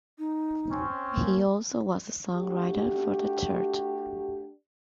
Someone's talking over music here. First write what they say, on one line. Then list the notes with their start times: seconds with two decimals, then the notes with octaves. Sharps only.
He also was a songwriter for the church.
0.18 D#4
0.72 C4 C#4
1.12 A#3
2.35 A3 D4 F#4 G4